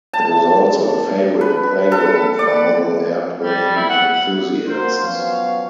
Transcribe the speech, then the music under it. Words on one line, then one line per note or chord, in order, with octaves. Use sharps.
It was also a favourite playground for model airplane enthusiasts.
A5
B4
A4
D5
G3
E4
F#5
F4 F#4 A#4 C5
F3 F#3 B3 C#4 C#5 F5